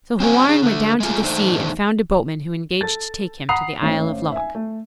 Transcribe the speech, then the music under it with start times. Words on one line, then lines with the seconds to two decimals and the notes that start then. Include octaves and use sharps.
So Houarn went down to the sea, and found a boatman who engaged to take him to the isle of Lok.
0.20 C4 C#4 F#4 C5 C#5 G#5
0.45 C#4 G#4
0.62 D3 A3
1.00 G#3 A3 F4 G#4
1.23 E2 A3 D4 D#4 C5
2.81 A4 A6
3.49 F#5 A#5 B5 D#6 C7 F7
3.82 G#1 A3 C#4
4.32 E5 G#5
4.55 A3